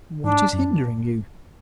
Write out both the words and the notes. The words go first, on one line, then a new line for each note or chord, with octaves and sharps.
"What is hindering you?"
G#2 D4
F#2